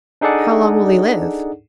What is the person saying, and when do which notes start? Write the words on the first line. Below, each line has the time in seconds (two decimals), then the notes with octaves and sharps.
"How long will he live?"
0.21 D4 D#4 G#4 A4 D5 F#5